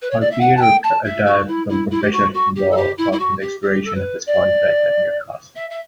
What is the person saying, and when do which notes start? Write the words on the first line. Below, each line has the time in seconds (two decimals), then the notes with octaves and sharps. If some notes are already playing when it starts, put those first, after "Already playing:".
Harper retired from professional football after the expiration of his contract at Newcastle.
0.01 B4
0.10 C#5
0.20 D5
0.31 E5
0.40 F#5
0.56 A5
0.61 G5
0.83 A5
1.04 E5
1.26 F#4
1.47 E4
1.69 E4
1.90 E4
2.02 G4
2.12 F#4
2.33 F#4
2.55 G4
2.71 A4
2.76 G4
2.97 E4
3.12 E4
3.19 F#4
3.40 G4
3.62 G4
3.85 A4
3.94 B4
4.26 D5
5.55 E5
5.70 E5